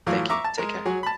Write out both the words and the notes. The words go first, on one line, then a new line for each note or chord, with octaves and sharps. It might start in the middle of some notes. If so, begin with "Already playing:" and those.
Thank you. Take care.
A2 E3 F#3 F4
E5 A#5 C#6 D6
A5
G#3 A#4
F#3 F#4 G#4
A5 B5